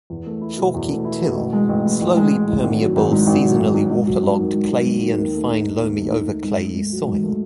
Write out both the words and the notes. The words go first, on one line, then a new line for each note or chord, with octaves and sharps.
Chalky till; slowly permeable seasonally waterlogged clayey and fine loamy over clayey soil.
E2
A3
E4
B2
E2
A3
E4
B2
A1
G#3
A1
A2
A1
G#3
A1
A2
G#1
F#3
G#1
G#2
G#1
F#3
G#1
G#2
G#2
F#3
G#2
D#3
G#2
F#3
G#2
D#3
D#2
A3
D#4
D#3
D#2
A3
D#4
D#3
G#2
A3
G#2
F#3
G#2
A3